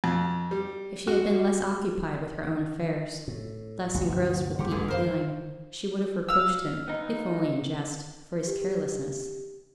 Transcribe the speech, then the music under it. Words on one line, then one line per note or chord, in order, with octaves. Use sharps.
If she had been less occupied with her own affairs, less engrossed with deep feeling, she would have reproached him, if only in jest, for his carelessness.
F2
G3
F#4
A2
G1 D2 C3 F#4
D3 D#3 A#3 G4 F#5
A1 D3 E3 G#3 A3
D#3 A#4 C5 F5
F5 E6
B3 D#4
G4